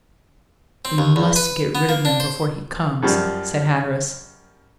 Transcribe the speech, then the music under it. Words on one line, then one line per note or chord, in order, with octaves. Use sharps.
"We must get rid of them before he comes," said Hatteras.
C4
D#2
E2
B4
B3
A#3
D4
C5
F#2 F3 G3